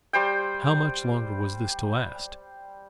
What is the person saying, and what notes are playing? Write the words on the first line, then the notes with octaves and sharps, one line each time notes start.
How much longer was this to last!
G3 C5 G5